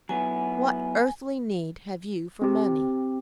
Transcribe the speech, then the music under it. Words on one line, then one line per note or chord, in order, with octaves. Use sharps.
What earthly need have you for money?'
F#3 B3 E4 G#5
C4 G4